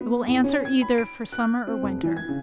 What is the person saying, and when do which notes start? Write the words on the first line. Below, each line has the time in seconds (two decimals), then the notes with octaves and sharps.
It will answer either for summer or winter.
0.01 B3
0.27 E2
0.44 C#4
0.65 G#6
0.82 B5
0.98 D7
1.32 F#6
1.67 C4
1.82 F1
2.03 E3
2.16 G#6
2.29 C#3